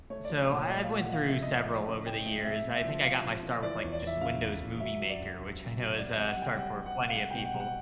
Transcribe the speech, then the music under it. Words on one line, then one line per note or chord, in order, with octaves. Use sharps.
So, I I've went through several over the years, I think I got my start with, like, just Windows Movie Maker, which I know is a start for plenty of people,
A3 C#5
F3 D5
C#5
A#2
C#5
A3 D#5
F5
A#2
F#5
F3
F5
F3 E5
D#5
A3
D#5
F3
D5
C#3 C#5
F3 G5
A3
C3 E5
C3
E5
F3
C3 F5
F3
F3
E3 D5
C#5
E2
D5
E3 E5
C#3 F5
E2
E2
F#3 E5
F#3
D5
F#2
F#2
F#3
F#3
C3 D5
D#5
C3
F#5
G3 G5
G3 F#5
G3
F#5
C3
F5
G3 F#5
B2 G5
F#5
G3
F#5